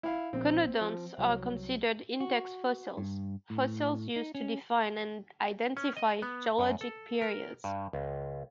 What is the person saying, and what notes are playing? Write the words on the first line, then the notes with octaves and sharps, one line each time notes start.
Conodonts are considered index fossils, fossils used to define and identify geologic periods.
E4 F5
A#1 C4
F3
C2 F#3
F#4
G2
A2
D#4
C#4
C#4
D#5
B3
F#2
A4
A#4
G2
C#2